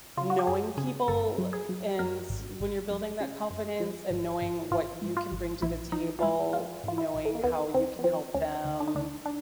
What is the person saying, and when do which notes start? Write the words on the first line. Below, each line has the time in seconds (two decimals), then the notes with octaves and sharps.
knowing people and when you're building that confidence and knowing what you can bring to the table, knowing how you can help them,
0.17 C#3 F4
0.30 F#4
0.39 G4
0.47 F#2 G#4
0.77 C#3 G#4
1.08 G1 A4
1.38 F#3
1.53 G#4
1.69 F#3
1.99 F#2 A#4
2.29 G#1
2.59 G#1
2.90 F#2
3.21 C#3
3.50 F#2
3.80 F3
4.10 G#1
4.41 G#1
4.71 G#1 F4
5.02 G#2
5.17 F4
5.32 G#1
5.62 A#1 E4
5.92 F3 D#4
6.19 F4
6.23 G#2 E4
6.53 F3 F4
6.84 G#2 F4
6.98 E4
7.14 A#1
7.25 A3
7.35 A#3
7.44 D2 B3
7.74 D2 C4
7.99 B3
8.04 F3 C4
8.34 D2 C#4
8.64 D2
8.80 D4
8.88 D#4
8.95 D2 D4
9.26 D4